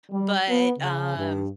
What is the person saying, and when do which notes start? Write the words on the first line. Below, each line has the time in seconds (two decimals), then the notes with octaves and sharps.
but, um,
0.11 G3
0.47 B3
0.79 C#3
1.17 G2